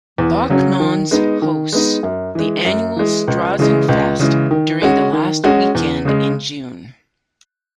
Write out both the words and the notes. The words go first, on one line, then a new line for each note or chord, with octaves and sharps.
Backnang's hosts the annual "Strassenfest" during the last weekend in June.
E2
C#3 F#3 C#4
D#3
G#3 B3 D#4
D#3
G#3 B3 D#4
F#2
E3 G#3
F#2
E3 G#3
C#2
C#3 E3 G#3
C#2
C#3 E3 G#3
D#3
G#3 C#4 F#4
D#3
G#3 C#4 F#4
E2
C#3 G#3